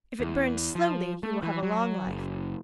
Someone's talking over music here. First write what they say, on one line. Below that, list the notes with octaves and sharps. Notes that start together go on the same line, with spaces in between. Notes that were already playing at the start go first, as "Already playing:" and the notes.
If it burns slowly you will have a long life.
E2
F3
A3
E3
F#3
F#1